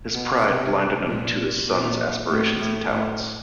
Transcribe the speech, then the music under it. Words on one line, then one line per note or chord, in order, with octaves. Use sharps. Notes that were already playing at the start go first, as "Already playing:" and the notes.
His pride blinded him to his son's aspirations and talents.
B2
C3
A#2
A#2
A2
A2
A2